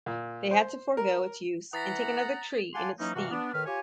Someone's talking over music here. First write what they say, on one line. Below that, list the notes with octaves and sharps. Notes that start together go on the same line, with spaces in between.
They had to forgo its use and take another tree in its stead.
A#2
C5
A#4
E3 F#5 A#5 D#6 A6 B6
F5 F#5 G#5 A5 C6 D6
E3 F#3 A#3 C#4 D#4
G2 C3 E3 A#3 F#4
B3 D4
A2 D#3 B4 F6
F4 G4 C#5 G#5